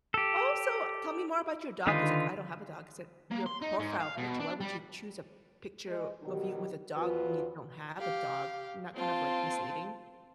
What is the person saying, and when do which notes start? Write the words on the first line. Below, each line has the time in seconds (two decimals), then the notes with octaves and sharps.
"Oh, so tell me more about your dog," he's like, "I don't have a dog." I said, "Your profile picture, why would you choose a picture of you with a dog when you don't have a dog?" Isn't that kind of, like, misleading?
0.14 G4 A4
1.87 D3 D#3 D#4 F4 B4
3.31 A#3
3.46 C6
3.62 D#4
3.80 G#2
4.00 F5
4.18 B2
4.40 D4
4.61 G3
5.88 G#3
6.23 B2 D#3 F#3 G3 D#4 G4
6.97 E2 F3 F4 F#4 B4
7.99 G4 F5
8.95 C4 F4 A5